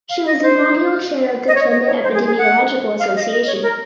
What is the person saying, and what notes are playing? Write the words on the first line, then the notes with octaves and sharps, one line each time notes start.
She was the inaugural Chair of the Kenya Epidemiological Association.
F5
D#5
C5
D#5
C#5
D#5
C#5
C5
G#4
G#4
F#5
F5
D#5
D#5
C#5
A#4